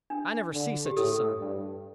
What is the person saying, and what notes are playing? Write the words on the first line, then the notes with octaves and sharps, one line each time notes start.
I never see such a son.
D4
D3
G4
A2 A4
G2